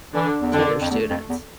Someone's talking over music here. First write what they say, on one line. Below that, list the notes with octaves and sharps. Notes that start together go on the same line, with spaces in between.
to their students.
D3 E3 D4
E2
F2 D3 D4
F2
E2 A3
F2
E2